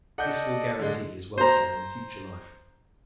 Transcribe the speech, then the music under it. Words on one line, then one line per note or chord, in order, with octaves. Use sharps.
This will guarantee his welfare in the future life.
A4 D5 D#5 F#5 G6
D3 G#3
C5 A#5